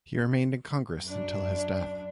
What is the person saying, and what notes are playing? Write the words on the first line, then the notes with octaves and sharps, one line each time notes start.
He remained in Congress until his death.
F#2 D4